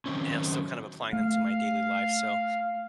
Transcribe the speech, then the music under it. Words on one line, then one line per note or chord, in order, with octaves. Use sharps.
and I'm still kind of applying them to my daily life, so,
D#3 E3 F#3 C4 C#4
A3 F5